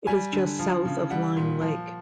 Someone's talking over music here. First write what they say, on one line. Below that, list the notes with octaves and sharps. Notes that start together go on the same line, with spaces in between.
It is just south of Lime Lake.
G3 G#5
D3
F3
C#3
G3 F#5
A#2
F3